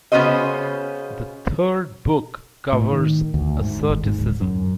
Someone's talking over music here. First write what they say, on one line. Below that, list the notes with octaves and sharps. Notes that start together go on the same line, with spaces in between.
The third book covers asceticism.
C#3 B3 C#4 F#4 C5 D#5
A2
D#3
D2
G#2
G#1
G#2
D1
F#2